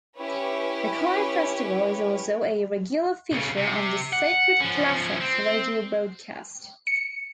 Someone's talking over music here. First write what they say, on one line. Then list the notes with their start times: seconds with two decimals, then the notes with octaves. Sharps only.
The Choir Festival is also a regular feature on the "Sacred Classics" radio broadcast.
0.18 C#4 E4 G4 B4 C#5
3.31 B1 C#3
3.57 C3
4.13 F#5
4.61 F3 C#4
5.20 C4
6.87 C#7